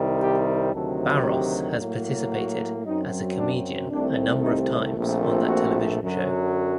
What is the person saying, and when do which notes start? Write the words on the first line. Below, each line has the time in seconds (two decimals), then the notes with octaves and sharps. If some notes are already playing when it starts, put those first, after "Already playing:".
Barros has participated as a comedian a number of times on that television show.
Already playing: C2 C3 D#3 G3
0.22 G4
0.74 D2 C3 D#3 F#3 A4
1.26 G4
1.79 A2 F#3 A#3
2.32 F#4
2.85 F#2 F#3 C4 D#4
3.37 D4
3.90 C2 C3 D#3 A3 C4 D4
4.42 D#4
4.95 A#1 A#2 A3 C4
5.47 F#4
6.01 F#2 D3 F#3